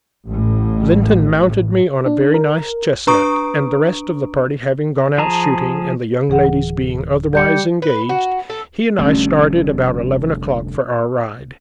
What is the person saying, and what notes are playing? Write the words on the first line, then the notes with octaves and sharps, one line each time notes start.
Lynton mounted me on a very nice chestnut, and the rest of the party having gone out shooting, and the young ladies being otherwise engaged, he and I started about eleven o'clock for our ride.
A1 A2
D4
A#4
D4 B4 A#5 C#6 D#6 D7
F3 G#4 A5 A#5
D1 E3 G#4 F#5
G3 D5 G6 C#7
B4
F#4
A4
F1 D2 G3 A3 C#4